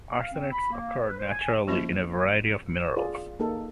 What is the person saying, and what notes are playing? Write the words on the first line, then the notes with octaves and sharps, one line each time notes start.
Arsenates occur naturally in a variety of minerals.
F5
C4
B5
A#3
B4
C5
G#5
F3 A#3 C#4 F4 D#5
F4 G#4 D5
A#3 D#4 G#4 A4